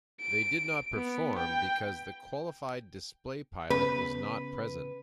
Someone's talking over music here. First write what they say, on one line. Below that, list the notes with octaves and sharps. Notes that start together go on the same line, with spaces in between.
They did not perform because the qualified display pilot was not present.
D7
B3
G5
C#3 B3 B4